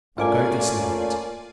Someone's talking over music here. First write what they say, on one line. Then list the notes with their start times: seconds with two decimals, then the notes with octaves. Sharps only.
I'll go this minute.'
0.18 A3 A#3 C#4 F4 D5 G#5